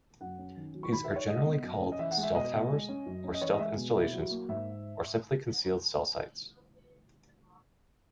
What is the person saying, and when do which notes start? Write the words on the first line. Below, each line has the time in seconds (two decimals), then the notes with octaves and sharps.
These are generally called "stealth towers" or "stealth installations", or simply concealed cell sites.
0.21 F#2 F#5
0.38 C#4
0.57 D#3
0.74 F#3
0.83 C#6
0.92 D#3 B5
1.04 E5
1.10 D#4
1.16 C#5
1.28 G#3 D#5
1.46 B3
1.63 F#2
1.81 C#4
1.92 D#5
1.99 E3 E5
2.11 F#5
2.17 G#3
2.23 E5
2.35 B2 D#5
2.53 B2
2.70 G#3
2.89 C#4
3.06 F#2
3.24 C#4
3.34 D#5
3.41 E3 C#5
3.50 D#5
3.59 G#3 E5
3.77 B2
3.95 E4
4.13 F#3
4.31 A#3
4.48 G#2 E5